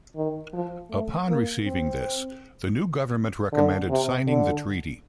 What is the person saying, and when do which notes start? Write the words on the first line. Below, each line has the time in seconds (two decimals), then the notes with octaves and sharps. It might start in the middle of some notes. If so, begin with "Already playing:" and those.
Upon receiving this, the new government recommended signing the treaty.
0.16 D#3
0.53 F3
0.91 A3
1.28 A#3
1.65 C4
3.52 D3
3.90 C3
4.27 D3